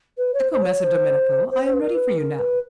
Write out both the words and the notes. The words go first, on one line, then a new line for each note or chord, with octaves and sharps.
Ecco, Messer Domenico, I am ready for you now.
B4
C#5
C5
C5
C#5
C5
C5
C5
B4
A#4
B4
A#4
B4